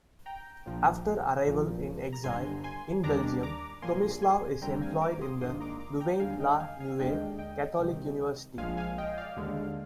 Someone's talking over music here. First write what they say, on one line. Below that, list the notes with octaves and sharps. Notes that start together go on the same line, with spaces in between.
After arrival in exile in Belgium, Tomislav is employed in the Louvain-la-Neuve Catholic University.
G5 A#5
A#1 A#2 F3
A#1 A#2 F3
A#5
G1 G2 D3 G#5 C6
G#5 C6
D#2 D#3 G3 D4 A#5 D6
A#5 D6
A#1 A#2 F3 A#3 G#5 C6
G#5 C6
D2 D3 G3 C4 G5 A#5
F5 G#5
A#5 D6
C6 D#6
A#1 G#2 D#3 A#3 D4 C6 D#6
A#5 D6
A#5 D6
G5 A#5
D#2 D3 G3 D4 F5 G#5
D#5 G5
F5 G#5
F5 G#5
D#2 D3 G#3 D4 D#5 G5
D#5 G5
C2 C3 D#3
A#1 A#2 F3 G#3 F5 G#5
F5 G#5
D#5 G5
D5 F5
D#2 D3 G#3